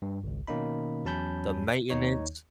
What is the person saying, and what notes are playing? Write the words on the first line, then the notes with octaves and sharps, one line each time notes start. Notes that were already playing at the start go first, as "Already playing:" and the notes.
the maintenance.
G2
G#1 C#2
B2 D#3 A#3 C#4 D#4 B5
E2 F#3 C#4 A5 B5 G6
D#2 D#3 D#4 C#5